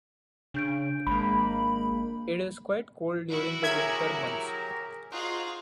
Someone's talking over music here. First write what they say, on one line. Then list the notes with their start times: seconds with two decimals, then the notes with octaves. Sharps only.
It is quite cold during the winter months.
0.54 C#3 D4 G6 D7
1.07 G#1 G#3 A#3 B5
3.30 E4 F#4 B4
3.63 F#3 G4 G#4 A#4 E5 G#6
5.11 D#4 F4 F#4 G#4 C5